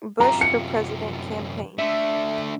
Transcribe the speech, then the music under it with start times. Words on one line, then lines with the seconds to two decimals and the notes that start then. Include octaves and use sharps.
Bush for President campaign.
0.20 F#2 C3 F4 A#5
0.41 C#7
1.79 D3 A3 E5